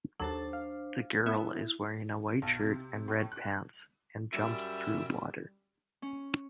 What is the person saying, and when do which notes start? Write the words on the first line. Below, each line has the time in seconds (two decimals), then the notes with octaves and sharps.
The girl is wearing a white shirt and red pants, and jumps through water.
0.20 D#2 F#3 D4 A4 C5 A5 A6
0.53 F5
1.26 B3 E4 E5
2.42 B1
2.60 C3
3.08 A2
3.32 F#6
4.33 F#2 G3 E5
6.02 C#4